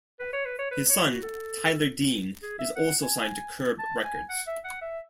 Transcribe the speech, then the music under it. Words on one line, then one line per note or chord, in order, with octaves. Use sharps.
His son, Tyler Dean, is also signed to Curb Records.
B4
C#5
B4
C#5
B4
C#5
F#4
A4
G#4
E5
F#5
G#5
A5
G#5
F#5
E5
F#5
E5